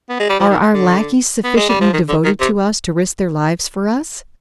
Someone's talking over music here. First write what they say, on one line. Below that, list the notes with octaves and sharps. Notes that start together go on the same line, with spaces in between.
Are our lackeys sufficiently devoted to us to risk their lives for us?
B3
G#3
G3
F3
D#3
D3
B3
G#3
G3
F3
D#3
D3
D#3
C3